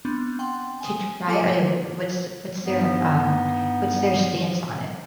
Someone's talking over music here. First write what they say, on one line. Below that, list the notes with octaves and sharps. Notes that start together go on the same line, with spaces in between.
to try it? Are they what's what's their, um what's their stance on it?
B3 C4 D4
F#5 G5 C6
G#5 D#6
A#3 F4 A4 G#5 D6 C#7
G2 B3 D#4